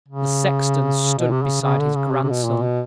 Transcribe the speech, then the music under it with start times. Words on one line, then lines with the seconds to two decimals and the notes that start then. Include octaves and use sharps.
The sexton stood beside his grandson.
0.08 C#3
1.18 B2
1.31 C3
1.44 C#3
1.62 C#3
1.79 D3
1.95 C#3
2.12 C3
2.23 C3
2.30 B2
2.46 A#2
2.63 B2